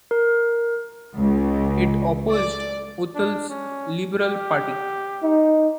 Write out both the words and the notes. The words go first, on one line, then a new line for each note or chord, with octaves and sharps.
It opposed Utah's Liberal Party.
A#4
C#2
D5
D4
C#4
G4
D#4